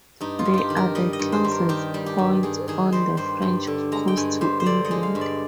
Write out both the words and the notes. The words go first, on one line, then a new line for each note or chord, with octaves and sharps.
They are the closest points on the French coast to England.
G2 D#4
F4
G2
F4 G4
D#3
A#4
G3 D#5
D#5
G2
C5
G2
A#4
D#3 G4
G3
G4
G2
G2 G#4
D#3 G#4
G3 C5
G2 C5
G2
D3
G#3 A#5
G5
G2 G#5
G2 C5
C5
D3 D5
D#5
G#3
F5
G2
D5